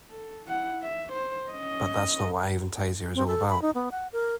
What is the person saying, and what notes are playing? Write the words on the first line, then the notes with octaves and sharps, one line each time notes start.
But that's not what Avantasia is all about.
A4
E4 F#5
E5
C5
C#4 D#5
C4
A4
B5
D#4
B3
F#5
A#4